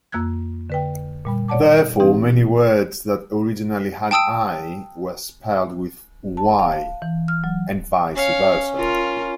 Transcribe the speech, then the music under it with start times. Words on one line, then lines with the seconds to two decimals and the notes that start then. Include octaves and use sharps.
Therefore, many words that originally had I were spelled with Y, and vice versa.
0.12 F2 A#3 E6 F#6 G#6
0.70 D3 B4 G5
1.25 A#2 G3 B5
1.48 C#5 D5 F#5 A5 D6
2.00 E3 C4 D#4 G4
4.11 G5 A5 D#6 E6 D7
6.37 A5
6.59 F5
7.02 E3
7.28 F6
7.44 F#3
8.16 C#4 C#5 F5
8.77 F4 A#4